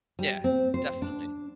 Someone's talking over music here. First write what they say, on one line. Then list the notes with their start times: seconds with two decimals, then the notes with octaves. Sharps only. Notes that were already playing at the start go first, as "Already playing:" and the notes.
Yeah. Definitely.
0.19 G3
0.44 C4
0.74 C5
1.02 D4